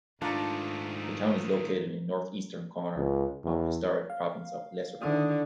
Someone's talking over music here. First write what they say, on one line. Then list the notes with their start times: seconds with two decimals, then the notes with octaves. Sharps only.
The town is located in northeastern corner of historic province of Lesser Poland.
0.22 G#2 D#3 A3 D4 F4 A5 A#5
2.96 C#2
3.44 E2
4.10 F5
5.02 D3 D#3 E4 D#6